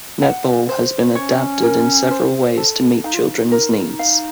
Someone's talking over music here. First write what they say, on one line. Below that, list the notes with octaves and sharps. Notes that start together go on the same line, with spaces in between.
Netball has been adapted in several ways to meet children's needs.
F#5
C5
C#4 C#5
A#4
C5
A4
D#4 F5
F4
D#4
A#4
F5